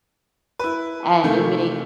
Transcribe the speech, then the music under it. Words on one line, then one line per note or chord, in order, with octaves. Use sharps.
And it make
E4 B4
C3 D#3 E3 A3 A#3